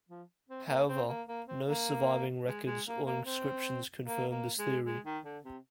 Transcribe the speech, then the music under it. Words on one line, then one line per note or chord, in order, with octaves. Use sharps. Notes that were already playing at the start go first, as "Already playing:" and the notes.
However, no surviving records or inscriptions confirm this theory.
F3
C4
A#3
C4
A#3
A#3
C4
A#3
G#3
G#3
A#3
A#3
C4
A#3
A#3
G#3
G#3
D#3
D3
C3